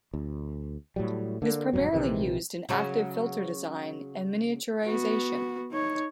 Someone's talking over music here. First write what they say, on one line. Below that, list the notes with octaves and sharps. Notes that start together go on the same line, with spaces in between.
It is primarily used in active filter design and miniaturization.
D2
A2 F#3 G3
D3 A#3
E1 E2 G2 F#3
A#1 C3 D#3 E3
C#3 F#3 F#4
B3 F#4
D#4 C#5